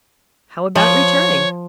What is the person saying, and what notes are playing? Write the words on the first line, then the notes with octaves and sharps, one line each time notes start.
"How about returning?"
F3 C#5